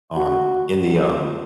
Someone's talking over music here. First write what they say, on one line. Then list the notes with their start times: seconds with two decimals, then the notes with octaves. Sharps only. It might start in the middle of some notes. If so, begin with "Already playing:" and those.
on in the, um,
0.16 F#4